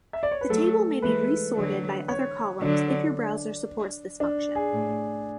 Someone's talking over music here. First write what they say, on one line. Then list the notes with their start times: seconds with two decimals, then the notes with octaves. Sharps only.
The table may be resorted by other columns if your browser supports this function.
0.13 E5
0.23 D5
0.31 C#5
0.41 B4
0.49 F#3 A3 A4
1.02 E3 G#3 B4
1.55 D3 F#3
2.09 C#5
2.61 D3 F#3 D4
4.20 D4
4.55 G#4
4.73 A2